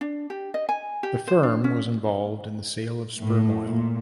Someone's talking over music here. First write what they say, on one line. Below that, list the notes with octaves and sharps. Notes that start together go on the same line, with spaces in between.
The firm was involved in the sale of sperm oil.
D4
G4
D#5
G#5
G4
C5
D4
C#4
A2
A#2